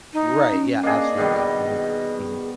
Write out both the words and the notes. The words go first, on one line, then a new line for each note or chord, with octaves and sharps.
Right, yeah, absolutely, mhm. Mhm.
D#4
C#4
A#3 D4 G#4 D#5
B2 D#3 G3 G#4